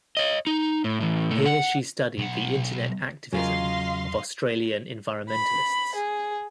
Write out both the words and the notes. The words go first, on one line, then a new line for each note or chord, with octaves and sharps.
Here she studied the internet activism of Australian environmentalists.
C#5 D#5
D#4
A2
A2 E3
A#2 A3
F#5
B1 F#5
E2 C#3 F#3 F4 A#4 D#5 F5 C6
B5
G#4